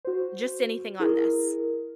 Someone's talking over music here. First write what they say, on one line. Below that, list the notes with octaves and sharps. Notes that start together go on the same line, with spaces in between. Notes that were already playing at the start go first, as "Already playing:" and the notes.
"Just anything on this
F#4 C5
E4 G#4 A#4